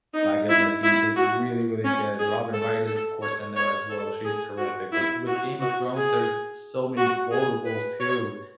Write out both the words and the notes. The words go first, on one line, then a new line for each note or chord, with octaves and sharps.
my goodness, he is really, really good, Robin Wright is of course in there as well, she's terrific, but with Game of Thrones, there is so many quotables too,
D#4
E4
E4
F#4
C#4
G#4
A4
A4
C#5
C#5
A4
G#4
F#4
E4
F#4
F#4
G#4
F#4
G#4
B4
C#5